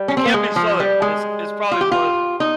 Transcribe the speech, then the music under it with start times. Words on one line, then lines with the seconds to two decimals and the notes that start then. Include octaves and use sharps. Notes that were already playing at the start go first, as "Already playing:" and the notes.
It can't be Southern; it's it's probably Northern.
Already playing: G3
0.08 C#4
0.17 C4
0.26 A#3
0.34 G#3
0.56 F3
0.80 G3
1.02 G#3
1.72 F4
1.81 G4
1.92 F4
2.40 D#4